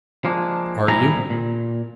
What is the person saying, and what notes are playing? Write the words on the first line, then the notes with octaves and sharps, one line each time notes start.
"Are you?"
F3 G#3 A#3 D4
A#2 F3 G3 E4 G#4 A#5
A#2